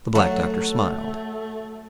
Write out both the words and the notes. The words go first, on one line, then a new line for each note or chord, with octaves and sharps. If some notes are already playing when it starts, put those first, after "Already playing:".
The Black Doctor smiled.
F#3 A3